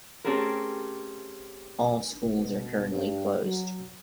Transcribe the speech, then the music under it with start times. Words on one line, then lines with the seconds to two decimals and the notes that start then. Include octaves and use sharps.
All schools are currently closed.
0.24 A3 C4 C#4 G4 G#4 A#4
2.35 B2
2.89 G2
3.43 F#3